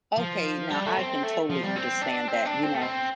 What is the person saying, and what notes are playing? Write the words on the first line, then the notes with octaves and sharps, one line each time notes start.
Okay, now, I can totally understand that, you know,
F3
G3
A3
C4
A3
F3
G3
C4
D4
C4
D4
C4
A3
C4